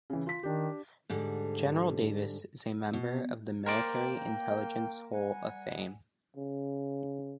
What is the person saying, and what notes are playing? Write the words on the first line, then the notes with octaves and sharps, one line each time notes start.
General Davis is a member of the Military Intelligence Hall of Fame.
C#3 E3
F4 B6
D#3 D4 G4
G#2 D3 G3
B2
A#3 A#4 C5 D5 G5
G3 F#5 G#5
C#3